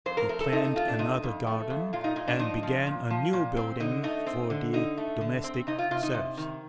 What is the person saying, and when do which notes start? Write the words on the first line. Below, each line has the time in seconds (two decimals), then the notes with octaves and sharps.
He planned another garden and began a new building for the domestic serfs.
0.06 F2 C5
0.17 A#4
0.29 A3 A#4
0.40 A4
0.52 C3 D#4
0.65 D#4
0.76 A3 F4
0.88 D4
0.99 C3 D#4
1.23 F2
1.47 A3
1.70 F2
1.93 A#2 F4
2.04 D#4
2.16 A#2 D#4
2.28 D4
2.39 F3 D#4
2.63 F3
2.87 A#2
3.10 F3
3.33 A#2
3.56 C4
3.80 D3 D#4
4.03 A3 D#4
4.26 C4
4.50 D3
4.73 D3 D#4
4.97 A3
5.21 D3
5.44 C4
5.67 C3 D#4
5.79 F4
5.91 C3 F4
6.03 D#4
6.14 C3
6.37 D#3